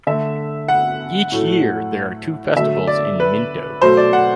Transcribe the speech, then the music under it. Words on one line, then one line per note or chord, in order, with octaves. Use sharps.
Each year there are two festivals in Minto.
D3 A3 E5
F#5
A2 F#3 A3
D3 F#3 A3 E5
D5
B4
B2 F#3 A3 C5
D5
F#5